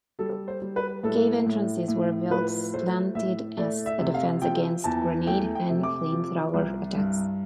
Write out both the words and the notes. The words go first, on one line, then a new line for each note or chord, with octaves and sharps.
Cave entrances were built slanted as a defense against grenade and flamethrower attacks.
G3 A4
C5
G3
B4
A2 A4
A2
A2
F3 B4
A3 C5
A2 E5
A3 D5
E5
C3
F5
F3 G5
E2 A5
A3 G5
G5
C3
D6
F3
C2
G2